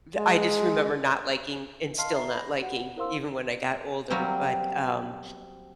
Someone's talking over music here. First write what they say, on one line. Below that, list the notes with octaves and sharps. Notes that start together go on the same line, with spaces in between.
th I just remember not liking, and still not liking even when I got older, but um
G#3
D#5 F5 A5 C6 F6 C7
B4 E5 A#5 C7
B5 A#6
F#4 G4 F#5
E4 A#4 C5 F5 C6 E6
F#3 G3 A#3 C4